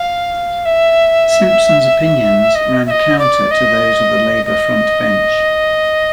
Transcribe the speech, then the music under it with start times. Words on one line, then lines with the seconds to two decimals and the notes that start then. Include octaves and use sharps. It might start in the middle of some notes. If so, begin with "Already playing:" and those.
Simpson's opinions ran counter to those of the Labour frontbench.
Already playing: F5
0.65 E5
2.55 D#5
2.86 E5
2.91 D#5
3.19 D5
3.51 D#5
4.46 D#5